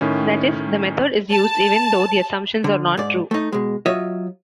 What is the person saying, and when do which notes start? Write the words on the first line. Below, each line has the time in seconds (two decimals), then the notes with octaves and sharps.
That is, the method is used even though the assumptions are not true.
0.01 A2 D#3 C#4
1.31 A5
2.64 D3
2.97 G#2 D5
3.31 A3 D#4
3.52 B2 G#3
3.86 F#3 F4 C#5 D#5 E5